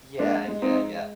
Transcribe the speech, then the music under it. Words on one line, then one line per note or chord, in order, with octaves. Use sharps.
Yeah, yeah, yeah.
G#3 A#3 D4
G#3
C4 D#4